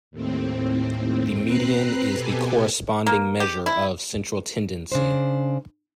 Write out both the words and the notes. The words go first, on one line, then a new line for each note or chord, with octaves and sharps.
The median is the corresponding measure of central tendency.
D#2 A2 C4
C4 B4 A#5 F#6 C7
B2 G4 A4 G#5
A#3
G4
E4
C#3 D4 C5